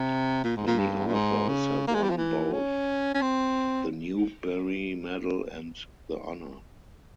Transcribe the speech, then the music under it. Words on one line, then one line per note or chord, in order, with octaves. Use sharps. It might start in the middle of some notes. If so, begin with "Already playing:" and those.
Many authors have won both the Newbery Medal and the Honor.
Already playing: C3
A#2
G#2
A#2
G2
A#2
G#2
C#3
A#3
G#3
G3
F3
E3
C#4
C#4
C4